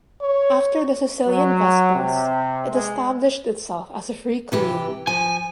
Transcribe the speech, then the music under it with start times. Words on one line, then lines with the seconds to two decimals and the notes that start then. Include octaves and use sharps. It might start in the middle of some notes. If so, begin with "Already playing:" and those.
After the Sicilian Vespers, it established itself as a free commune.
0.21 C#5
1.27 F#3
1.94 C3
2.73 G#3
4.52 C3 E3 G4
5.07 F3 G#5